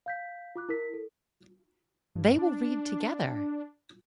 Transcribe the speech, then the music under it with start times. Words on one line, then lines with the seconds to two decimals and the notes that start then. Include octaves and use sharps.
They will read together.
0.06 F5 G6 B6
0.56 F4 D6 F#6
0.69 E4 A#4 B6
0.94 A4
2.15 G2
2.39 D4